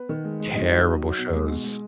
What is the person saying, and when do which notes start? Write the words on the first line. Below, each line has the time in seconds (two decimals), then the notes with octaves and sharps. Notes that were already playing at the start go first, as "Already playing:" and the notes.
Terrible shows.
Already playing: B3 B4
0.09 D#3
0.25 G#3
0.40 G#3
0.55 F#3 D#4 D#5
0.71 F#3
0.87 F#3
1.02 F#3
1.18 B2
1.33 G#3
1.49 B2
1.64 G#3